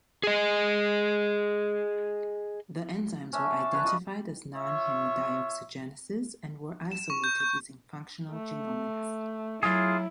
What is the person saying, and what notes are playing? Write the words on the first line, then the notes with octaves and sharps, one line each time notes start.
The enzymes were identified as non-heme dioxygenases, and were isolated using functional genomics.
G#4 D#5
C#4 D4 E5
A5
D4 B4 C#5
F4 D#5 B5
F4 C#5 E5
E7
C#6
G6
G6
A3
F#3 E4 F4 G#4